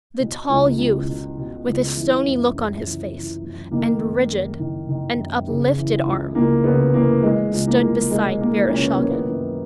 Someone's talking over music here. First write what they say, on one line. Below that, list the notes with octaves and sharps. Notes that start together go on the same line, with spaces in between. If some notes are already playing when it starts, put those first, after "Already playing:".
The tall youth, with a stony look on his face, and rigid and uplifted arm, stood beside Vereshchagin.
B2
C#2
C#2
B2
B2
C#2
E3
F#2
F#2
E3
E3
F#2
D#3 A#3
F#2
F#2
D#3
D#3
F#2
C#3
E3
C#2
C#2 A#3
C#3 B3
E3 A#3
B2 G#3
C#2
A#3
C#2
B2 G#3
B2 A#3
C#2 C#4
B3
D#3 A#3
B3
F#2